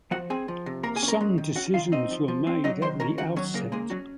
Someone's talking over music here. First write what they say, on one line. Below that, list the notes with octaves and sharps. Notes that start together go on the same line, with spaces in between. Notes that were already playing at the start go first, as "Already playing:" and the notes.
Some decisions were made at the outset.
F3 F#4 F#5
C4 G#4 G#5
F3
C3
A#3 A#4 A#5
G#4 G#5
C#4
A#4 A#5
G#3
D#3
C#4 F#4 F#5
D#3 F4 F5
C4 D#4 D#5
F3
F3
C4
F#3 D#4 D#5
D#3 C5 C6
C#4 A#4 A#5
D#3 F#4 F#5
F#3 C#4 C#5
C#3 A#3 A#4
G#3 A#3 G#4
F#3 C#4 F#4